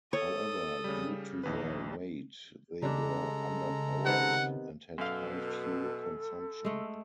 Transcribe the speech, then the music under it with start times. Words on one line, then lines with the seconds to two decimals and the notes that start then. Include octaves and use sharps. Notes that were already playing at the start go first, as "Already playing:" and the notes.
However, due to their weight they were underpowered and had high fuel consumption.
0.13 A4 C#5 D#6
0.84 C#3 G3
1.44 A#1 D#2 D#4 B4
2.82 C#3 G3 G#3 D4 A4 A#5
4.05 C3 D#3 B3 F#5
4.98 F#2 B2 A4 F5
6.65 G#3 A3